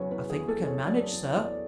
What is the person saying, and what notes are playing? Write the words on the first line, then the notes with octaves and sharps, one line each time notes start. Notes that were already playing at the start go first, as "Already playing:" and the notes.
"I think we can manage, sir."
Already playing: E2 C#3 F#3 B4 C#5
E2 B4
G#4
E2
A4
C#3
C#5
F#3 D5
E2
C#5
E2
D5